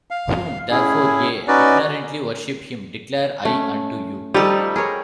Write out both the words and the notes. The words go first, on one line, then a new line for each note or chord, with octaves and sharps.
Whom therefore ye ignorantly worship, him declare I unto you.
F5
A2 C#4 E4 G#4
C#4 D#4 F#4 B4 D5
A3 C#4
F3 G3 D#4 F4 A4
G#4 A#4 C#5